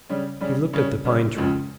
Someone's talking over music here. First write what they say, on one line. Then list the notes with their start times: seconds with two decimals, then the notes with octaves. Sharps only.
He looked at the pine-tree.
0.10 C#3 G3 C#4
0.41 C#3 G3 C#4
0.73 C#3 G3 C#4
1.05 C#3 G3 C#4
1.36 C#2 C#3 F3 G#3